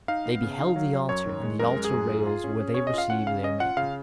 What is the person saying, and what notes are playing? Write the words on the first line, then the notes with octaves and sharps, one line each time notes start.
They beheld the altar and the altar-rails where they received their Maker.
D#4 F5
B3
C#3
D#4
F#3
F#3
F#2 C#5
D#3
G#3
F#2 A#4
G#3
G#4
F#2
F4
F4
C#4
C#4
C#4 C#5
D#5
F4 F5
C#4 F#5
C#3 F5
C#4 D#5
F4 F#5
C#3 F5